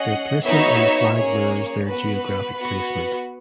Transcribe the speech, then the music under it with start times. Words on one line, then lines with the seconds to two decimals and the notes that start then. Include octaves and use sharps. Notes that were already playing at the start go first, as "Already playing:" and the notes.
Their placement on the flag mirrors their geographic placement.
Already playing: C#4 G#4 D#5 F#5
0.44 B3 D#4 F#4 C#5 E5
1.15 A#3 C#4 G#4 C#5
1.87 B3 F#4 B4
2.58 B3 F#4